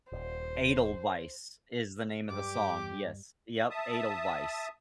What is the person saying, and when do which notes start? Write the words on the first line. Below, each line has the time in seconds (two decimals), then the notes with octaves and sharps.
Edelweiss is the name of the song, yes, yep, Edelweiss.
0.12 D#1 C5
2.30 G2 G4 D6
3.70 E5 A5 D#6